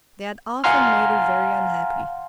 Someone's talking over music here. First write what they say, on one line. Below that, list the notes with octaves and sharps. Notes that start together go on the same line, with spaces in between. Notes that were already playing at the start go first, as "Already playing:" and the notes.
They had often made her very unhappy.
F5 F#5 G#5 A#5 C6 F6